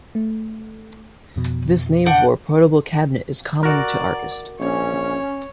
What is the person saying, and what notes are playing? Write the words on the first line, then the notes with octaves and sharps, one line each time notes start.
This name for a portable cabinet is common to artists.
A3
F2 B2
D4 F#5 G5
F#4 A#4 D5
A#1 C#4 C#5